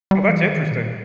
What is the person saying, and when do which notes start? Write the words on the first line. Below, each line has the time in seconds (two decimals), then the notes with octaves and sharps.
Oh, that's interesting.
0.11 G3
0.29 E3
0.48 D#3
0.71 A#2